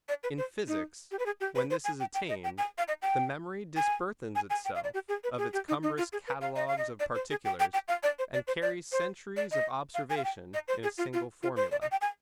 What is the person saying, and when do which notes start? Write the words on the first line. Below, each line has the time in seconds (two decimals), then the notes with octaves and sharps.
In physics, when this is attained, the memory disburthens itself of its cumbrous catalogues of particulars, and carries centuries of observation in a single formula.
0.09 D5
0.23 B4
0.38 C5
0.68 D#4
1.11 G4
1.19 B4
1.26 G#4
1.41 G4
1.55 B4
1.70 C5
1.84 G#5
2.00 G5
2.14 G5
2.29 D#5
2.44 G5
2.58 G#5
2.78 F5
2.88 D#5
3.02 G5
3.76 G#5
4.35 G#5
4.50 G#5
4.65 G5
4.75 F5
4.84 D5
4.94 G4
5.08 G#4
5.24 B4
5.38 G#4
5.53 G4
5.68 D#4
5.83 D#4
5.98 F4
6.12 G#4
6.27 B4
6.41 F5
6.56 D#5
6.68 F5
6.78 D#5
7.00 D5
7.14 C5
7.30 G#4
7.45 G5
7.60 G5
7.73 G5
7.88 F5
8.03 D5
8.19 C5
8.33 D5
8.47 C5
8.62 D5
8.92 C5
9.36 D5
9.51 D#5
9.94 F5
10.10 G#5
10.17 F5
10.24 G5
10.54 D#5
10.68 C5
10.83 G#4
10.98 F4
11.13 F4
11.43 F4
11.56 C5
11.71 D5
11.82 D#5
11.91 G5
12.01 G#5